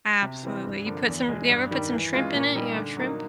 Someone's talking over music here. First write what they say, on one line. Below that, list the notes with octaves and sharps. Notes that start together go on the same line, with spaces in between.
Absolutely, you put some you ever put some shrimp in it? You have shrimp?
C3
E3 G3 C4
G2
D3 F3 A#3
E2
B2 G#3
G2
D#3 G3
E3
G#3 C#4 F4
A#2
G3 A#3 D#4
D3
F#3 A#3 D#4